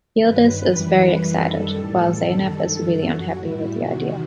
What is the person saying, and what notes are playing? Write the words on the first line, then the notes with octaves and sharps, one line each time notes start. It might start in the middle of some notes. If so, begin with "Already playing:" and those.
Yildiz is very excited while Zeynep is really unhappy with the idea.
G2 D#3 F#3 B4
F#2 E3 G3
F#2 E3 G3
F#2 D#3 G3 A4
A2 E3 G3
F#2 D#3 G3 A4
G2 D#3 F#3
F#2 F#3 F#4
A2 G3 E4
E2 C3 D#3 F#4